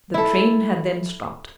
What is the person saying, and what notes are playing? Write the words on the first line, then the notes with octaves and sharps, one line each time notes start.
The train had then stopped.
E4 A4